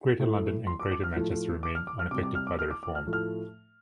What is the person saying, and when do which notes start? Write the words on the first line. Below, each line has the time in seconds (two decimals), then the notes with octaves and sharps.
Greater London and Greater Manchester remained unaffected by the reform.
0.19 A2 A3
0.67 C6
0.79 D6
0.92 D6
1.04 F6
1.15 A2 F3 A3
1.63 D6
1.75 F6
1.87 D6
1.99 F6
2.11 C3 D6
2.15 G3
2.23 D6
2.35 F6
2.47 D6
2.59 F6
2.71 D6
2.83 D6
2.95 F6
3.06 A2 F3 A3
3.13 F6